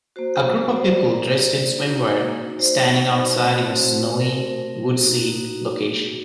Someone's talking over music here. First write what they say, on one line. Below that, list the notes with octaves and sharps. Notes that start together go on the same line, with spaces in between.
A group of people dressed in swimwear standing outside in a snowy, woodsy location.
A#3 F#4 C5
C5
D5
D5
C5
D5
A#3 D#4 F#4
D5
C5
A3 C4 F#4
A#4
A#3 D#4 F#4